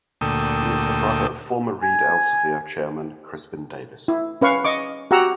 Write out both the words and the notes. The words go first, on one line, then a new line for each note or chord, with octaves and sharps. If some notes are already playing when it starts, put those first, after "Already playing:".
He is the brother of former Reed Elsevier chairman Crispin Davis.
D2 A#2 A3 G5 D#6 E6
G#5
E4
C#4 B4 F5 C#6
D#5 C#6 D6
F#4 G4 F#5 A#5 E6